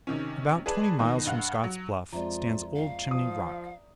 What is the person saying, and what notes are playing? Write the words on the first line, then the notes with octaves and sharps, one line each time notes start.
About twenty miles from Scott's Bluff stands old Chimney Rock.
C3 D#3 C#4
G#4 B4 D5 A5
B2 D#3
G2 F5 F#5
F#3
F2 G#3 F4 D5 E5 A#5
F5
F3 D#6